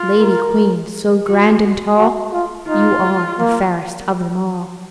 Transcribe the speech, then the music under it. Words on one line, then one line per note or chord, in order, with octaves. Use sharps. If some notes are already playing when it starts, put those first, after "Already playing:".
"Lady queen, so grand and tall, You are the fairest of them all."
Already playing: F4
A#4
F#4
F#4
F4
D#4 F4
A#3